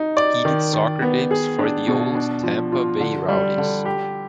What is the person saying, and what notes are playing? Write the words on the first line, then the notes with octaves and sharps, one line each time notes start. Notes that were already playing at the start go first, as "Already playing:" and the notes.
He did soccer games for the old Tampa Bay Rowdies.
Already playing: D#4
D5
D#3
D#3
B3
G#4
D4
B2
D4
F3
F4
D3
G3
D3
G4